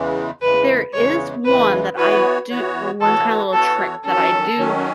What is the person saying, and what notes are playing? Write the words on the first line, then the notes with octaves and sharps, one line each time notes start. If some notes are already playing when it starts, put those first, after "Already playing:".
There is one that I do or one kinda little trick that I do
Already playing: E2 C#3 E3 G#3
E2 C#3 E3 G#3 B4
E2 C#3 E3 G#3 C#5
E2 C#3 E3 G#3 B4
E3 B3 F#4 B4 C#5
E3 B3 F#4 C#5
E3 B3 F#4 A4 C#5
E3 B3 F#4 A4 C#5
D#3 F#3 C#4 A4
D#3 F#3 C#4